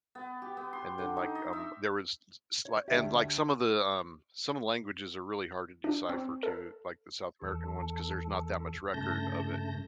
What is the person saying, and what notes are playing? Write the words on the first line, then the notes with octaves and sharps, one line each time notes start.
And then, like, um, there was s slight and, like, some of the, um, some of the languages are really hard to decipher, too, like the South American ones, cause there's not that much record of it.
B3
G4
B3
C6
D3
D#4
D#5
E5
C#5
D2 G4 D5 E5
D4
C4
A4
E2 A4
G2 C#3 A3 A5 G6 A#6